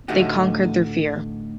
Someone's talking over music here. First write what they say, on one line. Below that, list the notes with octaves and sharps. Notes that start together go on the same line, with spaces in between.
They conquered their fear.
A2 D3 A3 D#4 F#4 G4